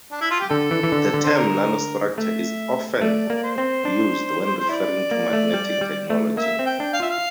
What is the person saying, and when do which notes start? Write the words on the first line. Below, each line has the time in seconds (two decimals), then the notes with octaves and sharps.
The term "nanostructure" is often used when referring to magnetic technology.
0.12 D4
0.21 E4
0.31 F4
0.40 G4
0.50 D3 A4
0.71 E3
0.83 E3
0.92 D3
1.14 D3
1.24 C5
1.34 A#4
2.18 A3 E5
3.01 A3 D5
3.30 A#3
3.35 D5
3.44 C5
3.58 C4
3.85 D4
4.60 C5
4.69 E4 D5
5.11 A#3
5.33 A3
5.54 G3
5.81 G3
6.10 A3
6.37 A#3 E5
6.59 C4
6.66 G5
6.80 D4
6.93 F5
7.00 F4 E5
7.10 F5